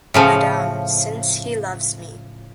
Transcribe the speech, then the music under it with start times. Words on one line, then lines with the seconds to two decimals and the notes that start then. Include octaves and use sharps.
Madam, since he loves me.
0.14 A2 C#3 F3